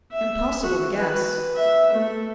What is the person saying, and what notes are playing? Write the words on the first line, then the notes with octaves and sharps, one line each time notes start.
Impossible to guess.
E5
F#4
B4
E5
A3